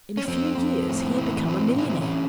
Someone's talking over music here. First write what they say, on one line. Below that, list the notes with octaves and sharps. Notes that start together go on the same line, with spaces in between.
In a few years, he had become a millionaire.
C#4
F2 C4
F2
A2
E3
A2 C4
E3 C#4
C4
C#4
D3